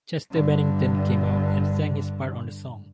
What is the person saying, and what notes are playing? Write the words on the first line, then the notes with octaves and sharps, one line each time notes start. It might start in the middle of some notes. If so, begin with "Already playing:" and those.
Chester Bennington came out and sang his part on the song.
G2 D3